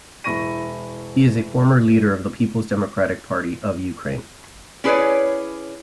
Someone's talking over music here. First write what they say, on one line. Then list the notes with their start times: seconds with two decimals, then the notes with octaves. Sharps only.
He is a former leader of the People's Democratic Party of Ukraine.
0.24 E1 E4 B5 C#6 A#6 D#7
4.84 C#4 E4 G#4 B4 C#5 D5